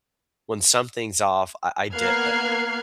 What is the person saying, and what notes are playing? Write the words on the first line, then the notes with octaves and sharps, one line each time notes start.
when something's off, I I dip.
A#3 B3 F6 F#6 G#6 C7